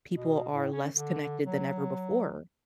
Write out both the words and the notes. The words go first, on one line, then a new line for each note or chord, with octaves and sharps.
people are less connected than ever before.
B2
A2
C#4
D3
F#3